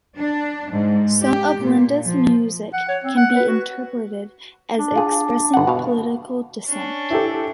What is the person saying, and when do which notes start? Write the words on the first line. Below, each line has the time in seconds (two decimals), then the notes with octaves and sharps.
Some of Linda's music can be interpreted as expressing political dissent.
0.17 D4
0.71 G#2
1.22 G4
1.62 A#2
2.06 F3
2.73 F#5
2.89 C#5
3.04 C4
3.17 F#5
3.36 B4
3.48 F#4
4.78 D4
4.96 F4 G#4
5.54 G1 F#5
5.67 B2 F5
6.68 C#4 D4
7.10 E4 G4 A4